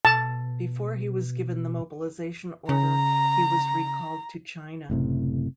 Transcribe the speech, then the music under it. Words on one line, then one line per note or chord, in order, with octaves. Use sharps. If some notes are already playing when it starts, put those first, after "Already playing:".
Before he was given the mobilization order, he was recalled to China.
B2 A5
C#3 A#5
F#1 A2 C3